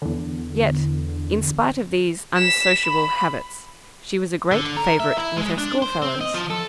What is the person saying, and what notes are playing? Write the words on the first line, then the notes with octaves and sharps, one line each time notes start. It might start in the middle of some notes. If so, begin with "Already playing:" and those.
Yet, in spite of these unsociable habits, she was a great favourite with her school-fellows.
E2 D3
B6 E7
B5
D3
A#4
E5
E4
G#3
D4
C5
C4
D#5
F3
A4